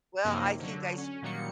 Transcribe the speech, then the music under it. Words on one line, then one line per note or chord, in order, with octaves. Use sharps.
Well, I think I s
F#2 C3 F3 A#3 D#4
D3 F#3
C#4
A#2 D#3 F#3 G3 A#3 C#7